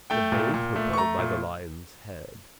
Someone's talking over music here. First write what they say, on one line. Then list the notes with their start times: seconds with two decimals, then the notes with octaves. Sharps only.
The bay purple by the Lion's head.
0.10 A3 G5
0.32 A#2
0.54 A#2
0.76 A3
0.93 C#6
0.97 A3 A#5
1.19 A#2